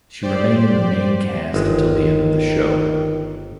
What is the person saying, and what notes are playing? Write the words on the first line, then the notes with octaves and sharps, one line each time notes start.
She remained in the main cast until the end of the show.
G4 C5 D5
G1 D#3 G#3